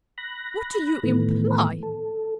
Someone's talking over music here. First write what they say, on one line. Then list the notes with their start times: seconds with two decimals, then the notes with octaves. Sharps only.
What do you imply?
0.18 B5 F#6 A#6
1.03 A2 D#3 E3 A3 B3
1.83 A4